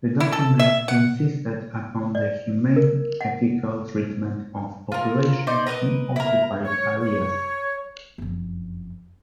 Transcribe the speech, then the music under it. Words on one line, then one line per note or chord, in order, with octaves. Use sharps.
The document insisted upon the humane, ethical treatment of populations in occupied areas.
E4
A4
E5
F#5
D5
A#4
F#5
F4 A#4
D#4 C5 D5
A#4 B4 C#5 D#5
E4 A#4
C#5
C#5
F#1 F2